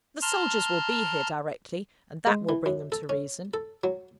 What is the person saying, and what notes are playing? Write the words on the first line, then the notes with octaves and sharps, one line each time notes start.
'The soldiers will be here directly, and that will bring them to reason.'
A5 A#5 C6 F6
G#3
E3
F#2
A4
C#4
A4
F#3